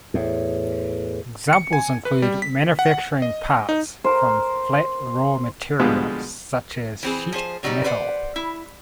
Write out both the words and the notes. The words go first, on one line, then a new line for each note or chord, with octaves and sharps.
Examples include manufacturing parts from flat raw material such as sheet metal.
E2 A2
C#7
G#5
B4
G3
B6
F#5
D#5
D#4
A#4 C5
B2 D3 F3 G3 G#3 B3
E3 C4 G#4
F3 G#4 C5
C#3 F#3 G3 D#4 G4
B4 C5 D5 F#5
E4